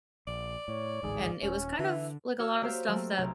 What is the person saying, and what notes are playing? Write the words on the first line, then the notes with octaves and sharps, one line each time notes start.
and it was kind of, like a lot of stuff that,
A#1 D5
A2 C#5
A1 D2 G#2 G#4
D#1 C#4
D3 E3 E5
F#4 C#5 E6 F6
A#3 G4 C5 E5 F5
F#3 A3 A#3 C4
B1 C3 C#4 A#5